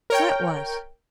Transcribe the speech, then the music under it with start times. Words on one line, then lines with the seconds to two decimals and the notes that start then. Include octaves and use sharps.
"What was?"
0.10 A#4 C#5 G5